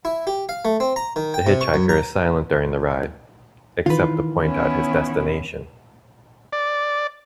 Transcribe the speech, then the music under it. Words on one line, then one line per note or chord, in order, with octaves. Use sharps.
The hitchhiker is silent during the ride, except to point out his destination.
E4
G4
F5
A3
C4
A#5
D#3
G5
C3
C#6
F#2
A#5
D#3 E3 F4 B4
B3 C#4 E4
D5